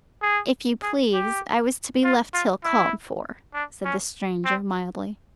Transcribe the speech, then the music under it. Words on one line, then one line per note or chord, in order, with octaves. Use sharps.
"If you please, I was to be left till called for," said the Stranger mildly.
G#4
G#4
G4
F4
F4
E4
D4
C#4
C4